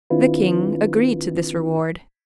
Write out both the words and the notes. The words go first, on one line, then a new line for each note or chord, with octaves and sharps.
The king agreed to this reward.
D#3 C4 D4 E4 F4 B4